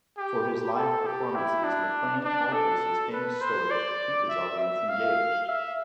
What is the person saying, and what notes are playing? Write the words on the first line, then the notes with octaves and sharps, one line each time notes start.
For his live performances, McLean alters his famous stories to keep his audience engaged.
G4
A4
G4
E4
D4
D4
A4
B4
C5
D5
E5
E5
F5
E5